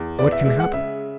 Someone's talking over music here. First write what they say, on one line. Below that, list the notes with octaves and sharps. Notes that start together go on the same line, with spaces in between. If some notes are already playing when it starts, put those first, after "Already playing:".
"What can happen?"
Already playing: E2
B3 D5
E5
G#3 E5
F#5
C#3 E5